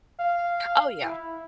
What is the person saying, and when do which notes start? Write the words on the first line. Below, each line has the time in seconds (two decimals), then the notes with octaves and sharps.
Oh, yeah.
0.20 F5
1.03 E4